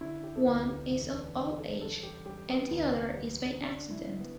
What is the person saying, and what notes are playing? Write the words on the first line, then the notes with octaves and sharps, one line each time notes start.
One is of old age, and the other is by accident.
D3 E4
G4
A4
D2 B4
G4
E1 B3
D4
D3
A4
G3 A4
G4
G3 G4
B3
D2
G3
D3 D4
E4
D3
B3